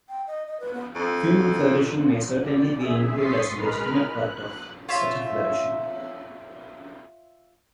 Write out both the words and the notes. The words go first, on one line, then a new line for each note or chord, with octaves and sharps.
Human flourishing may certainly be included as a legitimate part of such a flourishing.
G5
D#5
D#5
B4
B3
F2
D5
G#4 E5
C6 C#6 D#6 A6 B6 C7
G#3 A#4 B4 B5 F6
F#6
F4 C#5 E5